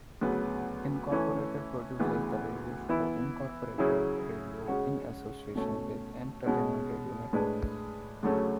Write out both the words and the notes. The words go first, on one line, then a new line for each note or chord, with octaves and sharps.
Incorporated produces the radio show "Incorporated Radio" in association with Entertainment Radio Network.
D2 C#3 F#3 B3
E3 A3 C#4 E4
D2 C#3 E3 B3
E3 B3 E4
C#3 F#3 C#4 E4 G#4
C#3 G#3 C#4 F#4
B2 A3 C#4
B2 G#3 C#4 F#4
A2 G#3 D4 G#4 B4
D2 C#3 F#3 A3 C#4